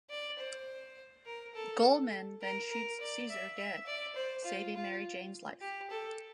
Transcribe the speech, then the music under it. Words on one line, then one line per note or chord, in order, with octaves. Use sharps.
Goldman then shoots Caesar dead, saving Mary Jane's life.
D5
C5
A#4
A4
A#4
A#4
D5
E5
E5
D5
C5
F4
F4
G4
A4